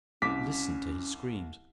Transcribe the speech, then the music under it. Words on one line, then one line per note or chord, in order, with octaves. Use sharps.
Listen to his screams!
C2 C#4 D6 B6